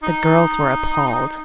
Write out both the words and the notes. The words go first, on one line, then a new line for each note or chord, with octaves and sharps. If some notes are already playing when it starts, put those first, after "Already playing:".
The girls were appalled.
D#4